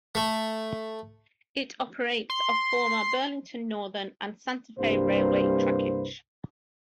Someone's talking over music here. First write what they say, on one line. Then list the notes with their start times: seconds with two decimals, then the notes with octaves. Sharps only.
It operates of former Burlington Northern and Santa Fe Railway trackage.
0.15 A3
2.30 C6
4.79 C2 G2 C3 A#3 B4 C5